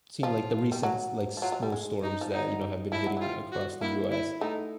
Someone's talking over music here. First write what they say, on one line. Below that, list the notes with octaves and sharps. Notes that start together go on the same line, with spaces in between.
seen, like, the recent s like, snowstorms that, you know, have been hitting across the US.
F3 F4
G3
F#3
F3
F#3 F4
F#3
G3
G#3
D#4
F3
F#3 D#4
F3 E4
F#3
F#3
G3 F4
F#4
A#3 E4
E4
A3 D#4